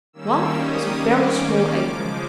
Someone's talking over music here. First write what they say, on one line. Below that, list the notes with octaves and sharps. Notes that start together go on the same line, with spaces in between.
One was a very small apron.
D#3 G3 A#3 C#4 E6
D#6
D6
C#3 F3 G#3